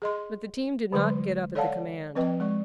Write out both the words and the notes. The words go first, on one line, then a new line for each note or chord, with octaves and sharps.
But the team did not get up at the command.
G#4 D#5 C6
D3 E3 F#3 G#3 B4 C6
A4 C#5 D5 F5 F#5 A5
F3 C4 B4 D#5 G5
G#3 D5 C#6